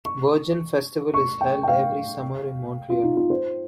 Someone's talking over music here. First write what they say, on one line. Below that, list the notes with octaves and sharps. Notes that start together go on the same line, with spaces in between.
Virgin Festival is held every summer in Montreal.
C#6
C#6
G5
G5
F5
F4
D#4
F4
C5